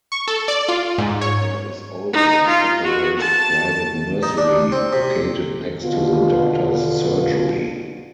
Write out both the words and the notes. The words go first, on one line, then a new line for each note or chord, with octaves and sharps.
There is also a separate private nursery located next to the Doctor's Surgery.
C#6
A4
D5
F4
G#2
C#5
D#4
F4
F#4
A5
D#4
D4
C4
C3
B2 D3 F4